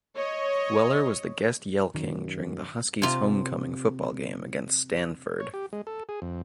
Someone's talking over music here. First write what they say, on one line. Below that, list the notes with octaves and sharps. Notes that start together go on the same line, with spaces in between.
Weller was the guest yell-king during the Huskies' homecoming football game against Stanford.
C#5 D#5
F#2 D#3
C3 F4
C#5
G4
G#3
A4
G#4
F2